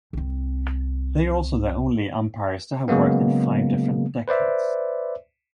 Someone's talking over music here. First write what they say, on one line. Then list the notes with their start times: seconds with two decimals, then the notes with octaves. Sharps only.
They are also the only umpires to have worked in five different decades.
0.13 C2 C4
2.88 C#3 F#3 G#3 A#3 B3
4.28 B4 C5 D5 E5